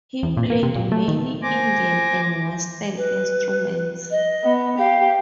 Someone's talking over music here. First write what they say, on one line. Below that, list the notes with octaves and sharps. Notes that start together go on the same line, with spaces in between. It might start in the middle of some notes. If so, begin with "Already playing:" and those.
He played many Indian and Western instruments.
E2
A#2
A#3
C3
A#2
A3
D#3
C5 G#5 D6 A#6
B4
D#5
B3
G4 F5